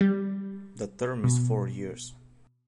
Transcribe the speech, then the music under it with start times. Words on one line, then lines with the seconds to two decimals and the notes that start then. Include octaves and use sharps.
The term is four years.
0.01 G3
1.24 B2